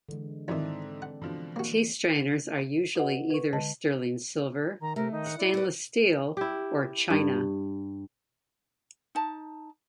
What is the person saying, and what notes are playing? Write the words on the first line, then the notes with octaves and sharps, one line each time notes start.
Tea strainers are usually either sterling silver, stainless steel, or china.
D3 E3 G#3
F2 G#2 D#3 C4 D#4 E4 A4 D5
F#5
B2 D3 E3 F3
A#3 F#4
F#4 B4 D#5 F#5
B4 C#6
D3 G#3 D#5 A5
D#3 A#5
C3 A3 A#4
D#3 D#4
F#5
E4 D5
F#4 B4
E4 G4
G2
D#4 A5